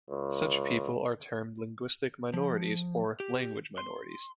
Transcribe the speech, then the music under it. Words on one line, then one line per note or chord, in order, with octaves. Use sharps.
Such people are termed linguistic minorities or language minorities.
C#2
F3
G4
C6